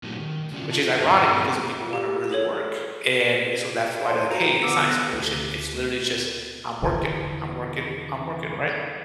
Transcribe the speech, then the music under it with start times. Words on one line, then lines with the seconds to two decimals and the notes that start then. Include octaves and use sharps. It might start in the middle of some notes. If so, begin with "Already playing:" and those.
which is ironic because some people wanna really work. And, so that's why they're like, "Hey, it's not exploitation. It's literally just I'm working. I'm working. I'm working." Right?
0.03 A#2 F#3 A3 D#4 F#4 G4
0.20 D#3
0.52 D3 G3 C#4 D4 F4 F#4
0.68 C3 F4 A5
0.99 G2 A#2 D#3 F#3 B3 A#5
1.93 G4
2.31 G#4 A4 C#5
3.20 C#7 D7 E7
4.06 C5 G5 A5 C6
4.31 F#4 A#5
4.62 D3 B3 D6 E6 C#7
4.87 F#6 A#6
5.13 D2
6.82 E2 D3